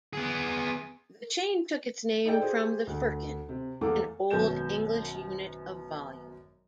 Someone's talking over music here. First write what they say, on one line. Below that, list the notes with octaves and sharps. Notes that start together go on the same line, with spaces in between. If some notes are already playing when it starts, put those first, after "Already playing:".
The chain took its name from the firkin, an old English unit of volume.
B3 G#4
D#4 G#4 A4 D5 G5
G4 G#4 C5
D2
C3
E2 A3 A#3 A4 D6
G#1 F#2 B2 G6 E7